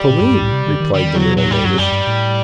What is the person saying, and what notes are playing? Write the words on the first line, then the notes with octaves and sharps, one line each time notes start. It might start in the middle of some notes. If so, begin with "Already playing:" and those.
"Toline," replied the little native.
Already playing: G3
A#2
G2
G2
A2
C3
D3
D#3
D3 G3
D#3
D3 F#3
C3
A#2 F#3
A2 G3
G2 F#3
F#2 G3
G2
A2